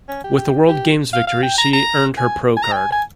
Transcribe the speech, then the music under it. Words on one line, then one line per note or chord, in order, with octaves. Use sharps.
With the World Games victory she earned her pro card.
C#4
G4
G4
G4
F5
F5
G5
A#5
A#5
G#5
G#5
A#5
G5
G#5
G#5